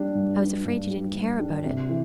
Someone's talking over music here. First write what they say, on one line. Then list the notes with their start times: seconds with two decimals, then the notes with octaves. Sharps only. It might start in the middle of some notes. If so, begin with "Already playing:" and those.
"I was afraid you didn't care about it."
Already playing: G3 D4
0.15 G2
0.40 G3 D4
0.65 G2
0.90 G3 D4
1.15 G2
1.39 G3 D4
1.65 C3
1.89 E3